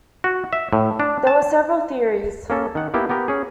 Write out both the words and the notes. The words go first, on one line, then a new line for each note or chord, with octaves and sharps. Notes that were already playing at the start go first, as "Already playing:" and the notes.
There were several theories.
F#4
E5
A2
D4
A5
A#3 C#4 A4
D#3 F#5
A#3 B3 E4 G4
B3 G4 A#4
C#4 G#4